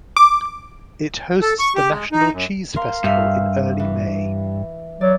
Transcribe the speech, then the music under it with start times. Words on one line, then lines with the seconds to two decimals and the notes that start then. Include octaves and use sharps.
It hosts the national cheese festival in early May.
0.17 D6
1.42 A4
1.59 C#6
1.76 G4
1.90 G#3
2.12 D#4
2.32 F#2
2.76 A#4 F5 C6
3.04 G2 E5 F5 G6
3.79 E3
5.01 F#3 D5